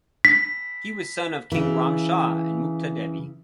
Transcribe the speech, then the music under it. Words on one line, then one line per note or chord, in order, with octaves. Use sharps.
He was son of king Ram Shah and Mukta Devi.
B6
C#3 E3